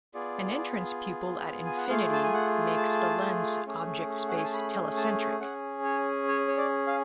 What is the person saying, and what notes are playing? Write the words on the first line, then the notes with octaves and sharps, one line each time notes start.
An entrance pupil at infinity makes the lens object-space telecentric.
B3 F4 G#4 D5
G#5
F#5
A3 F4 G#4 F5
A5
G#5
F#5
A5
A3 C#4 G#4
F#5
G#5
A5
B5
A5
C#4 G#4 F#5
C#5
C#5
C#5
D5
F5